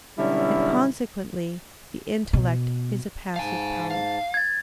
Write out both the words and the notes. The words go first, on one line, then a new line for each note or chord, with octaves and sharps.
And consequently the intellect is a passive power.
B2 D3 F#3 G3 C#4 E4
B2
G#2 F5 G#5 A5
F5
G#6 A6